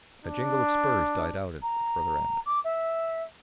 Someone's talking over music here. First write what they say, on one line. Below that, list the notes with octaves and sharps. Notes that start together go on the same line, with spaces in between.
A jingle of spurs died out at the further end.
D4
A#5
D6
E5